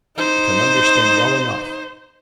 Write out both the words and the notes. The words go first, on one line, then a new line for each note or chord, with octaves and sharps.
I can understand well enough.
D#4 C5